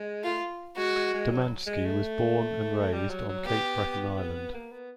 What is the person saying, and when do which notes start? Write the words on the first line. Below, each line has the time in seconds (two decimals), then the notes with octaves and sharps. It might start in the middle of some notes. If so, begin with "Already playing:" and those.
Domanski was born and raised on Cape Breton Island.
Already playing: G#3
0.23 A3 F4
0.77 G#3 F#4
0.96 G#3
1.14 G#3
1.31 F#3
1.67 G#3
1.85 A3
2.93 G3
3.10 F#3
3.29 F#3
3.46 B3 G4
4.54 A#3
4.71 B3